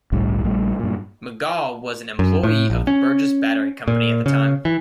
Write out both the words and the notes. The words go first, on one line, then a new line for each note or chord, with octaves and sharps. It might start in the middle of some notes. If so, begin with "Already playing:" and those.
McGall was an employee of the Burgess Battery Company at the time.
G1 C2 A2 G3
A#1 A#2 G3 A3
G2 A#2
F#2
A2
A#1
C#4
A#2
C#3
E3